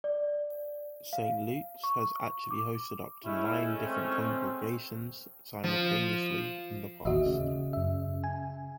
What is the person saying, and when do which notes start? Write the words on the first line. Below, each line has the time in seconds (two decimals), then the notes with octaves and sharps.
Saint Luke's has actually hosted up to nine different congregations simultaneously in the past.
0.04 D5
1.13 F5
1.84 C#6
2.51 D6
3.25 G#3 A3 C#4 E4
3.84 C4
5.64 F3
7.05 A1 D#2 F#4 D#5 E5
7.26 C#3
7.73 F#2 E5
8.24 G#5